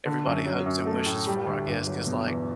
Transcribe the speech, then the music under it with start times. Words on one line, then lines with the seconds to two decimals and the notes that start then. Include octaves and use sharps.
everybody hopes and wishes for, I guess, 'cause, like
0.06 D3
0.26 F#2
0.46 F#3
0.66 F#2
0.86 A3
1.06 A2
1.27 G3
1.47 D2
1.67 G1
1.86 F#3
2.07 B2
2.27 E2